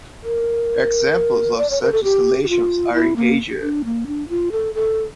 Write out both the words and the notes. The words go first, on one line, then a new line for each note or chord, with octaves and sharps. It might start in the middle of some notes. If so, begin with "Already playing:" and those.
Examples of such installations are in Asia.
A#4
D5
C#5
A#4
A4
G4
G4
F4
E4
A#3
D4
A#3
D4
F4
A4
A4